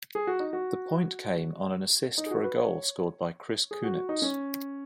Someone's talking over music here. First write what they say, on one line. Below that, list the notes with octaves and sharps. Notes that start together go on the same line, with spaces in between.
The point came on an assist for a goal scored by Chris Kunitz.
G#4
F#4
D#4
F#4
D#4
G#4
F#4
B4
C#5
G#4
F#4
F#4
D#4
C#4